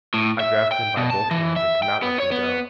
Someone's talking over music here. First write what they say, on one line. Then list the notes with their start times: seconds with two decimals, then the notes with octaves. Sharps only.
I grasped him by both hands, and could not let them go.
0.14 A2
0.40 E5
0.72 G5
0.97 B2
1.10 A5
1.31 E3
1.56 E5
1.83 G5
2.02 B3
2.20 C#5
2.32 B3